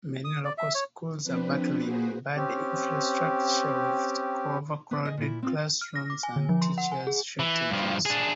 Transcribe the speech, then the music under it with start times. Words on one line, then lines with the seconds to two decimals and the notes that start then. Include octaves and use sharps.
Many local schools are battling in bad infrastructure with overcrowded classrooms and teachers shortages.
0.25 D#6
0.45 D5
0.58 E5
0.75 C#5
1.23 F3 C4 D4 B4
1.82 A#3 F#4 G#4 B4 C5
2.36 C4 C#4 G4
4.91 B3
5.05 G#4 D#5
5.17 A#2 E4
5.43 C4 F4
5.81 F6
5.95 A#6
6.10 D6
6.23 G#5
6.36 D3
6.49 F3
6.61 C6
6.78 F#5
6.92 G#5
7.07 G#4
7.39 E3
7.71 G2 F3
8.06 D4 G#4